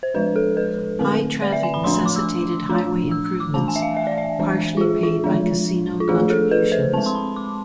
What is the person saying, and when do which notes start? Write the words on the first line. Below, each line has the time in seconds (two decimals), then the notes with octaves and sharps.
High traffic necessitated highway improvements, partially paid by casino contributions.
0.03 C5
0.14 F3 G#3 D4 B4
0.36 A4
0.57 B4
0.99 D3 A3 C4
1.42 D5
1.52 E5
1.63 G#5
1.74 B5
1.84 F3 A3 D4 C6
1.95 C6
2.06 D6
2.16 E6
2.69 F3 A3 D4
3.11 E6
3.26 E6
3.40 D6
3.54 E3 A3 D4 A5
3.68 G#5
3.76 E5
3.82 F5
3.97 E5
4.07 D5
4.18 E5
4.39 E3 G#3 D4
4.77 F4
4.81 G#4
5.03 F4
5.24 F3 G#3 D4
6.00 F4
6.09 F3 A3 D4 G#4
6.30 A4
6.51 B4
6.72 C5
6.93 G#3 C4 A5
7.06 C6
7.15 B5
7.36 D6